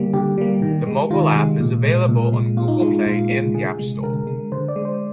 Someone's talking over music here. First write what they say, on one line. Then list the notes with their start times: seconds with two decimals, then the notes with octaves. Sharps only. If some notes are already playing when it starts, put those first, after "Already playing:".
The mobile app is available on Google Play and the App Store.
Already playing: D3 G3 A#3 G4
0.14 D3 G4
0.38 G3 A#3
0.62 D#3
0.87 G#3
1.10 D#3 F4
1.36 G#3
1.60 A#2
1.84 G#3
2.09 A#2
2.33 G#3
2.57 A#2 F4
2.68 D#4
2.80 G#3 F4
3.06 A#2 F4
3.31 G#3
3.54 D3 G#4
3.79 G#3
4.04 D3 A#4
4.27 G#3
4.52 D3 C5
4.69 D5
4.76 G#3
4.85 C5